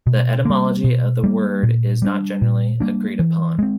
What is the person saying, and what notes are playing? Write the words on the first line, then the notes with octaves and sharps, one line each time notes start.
The etymology of the word is not generally agreed upon.
B2
G3 A#3
B2
G3 A#3
A#2
G3 A#3 D4
A#2
G3 A#3 D4
E3
G#3 C4